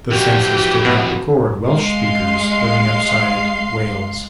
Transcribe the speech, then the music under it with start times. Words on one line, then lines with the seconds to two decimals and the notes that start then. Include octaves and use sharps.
The census did not record Welsh-speakers living outside Wales.
0.12 F2 E3 F#4 G4 G5
0.85 B2
1.67 G#3 F5 C6 C7